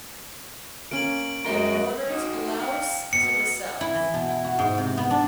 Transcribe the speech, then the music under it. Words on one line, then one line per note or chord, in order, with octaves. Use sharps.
It borders Laos to the south.
A#3 C#4 D7 F#7
F#2 G#3 F#4 A#4 G5
D#4 F#4
F5 G5
B2 C#7
E4
E3
B2
E4
F#4
G#2
C3
B3
D4